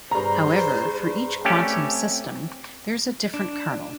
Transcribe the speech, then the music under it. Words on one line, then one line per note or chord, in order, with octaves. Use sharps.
However, for each quantum system, there is a different kernel.
G2 G#4 C5 A#5
A3 C4 C#4 G4
D4